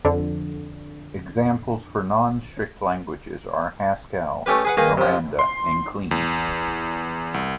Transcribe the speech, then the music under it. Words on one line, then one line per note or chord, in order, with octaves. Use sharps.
Examples for non-strict languages are Haskell, Miranda, and Clean.
F2 D3
A3 C#4 G4 B4
G#4 B4 F#5
D#3 A#3 D#4 G#4 B4
C3 F3
C6
E2
C2